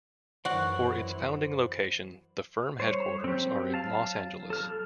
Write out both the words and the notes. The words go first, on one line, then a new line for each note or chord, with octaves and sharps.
For its founding location, the firm headquarters are in Los Angeles.
F#2 E3 F#4 C5 D5 F#5
G3 C5 C#5
F#3 C4 G4
F5 A5
A4 F6